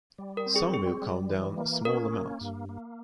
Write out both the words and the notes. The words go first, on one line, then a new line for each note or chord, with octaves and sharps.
Some will come down a small amount.
G3
A#4
C4
G#4
G3 G#4
G3
E3
A#3
C#4 A#4
A#3
G2
A#3